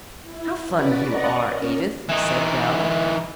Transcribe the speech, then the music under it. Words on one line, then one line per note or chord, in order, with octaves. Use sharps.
"How funny you are, Edith," said Belle.
E4
C#4 F#4 B4 D5
D5 D#5 F#5 A#5 C#6
C#4 A#4
E3 D#4